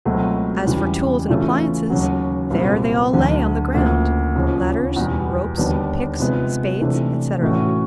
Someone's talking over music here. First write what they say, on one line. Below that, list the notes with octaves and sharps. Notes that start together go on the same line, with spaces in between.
As for tools and appliances, there they all lay on the ground--ladders, ropes, picks, spades, etc.
C#2 B2 F#3 A3 C4
E2 C#3 E3 G3
C#3 E3 A3 C#4 F4
D#2 C#3 F#3
C2 A#2 G3 C4
D2 D3 F#3
D2 C#3 F3 A#3
D#2 C#3 F3
E2 B2 G3
D#2 D3 G3 B3 D4
C3 F3 G#3 B3
C3 E3 A3 D4
A2 E3 A3 C#4 F#4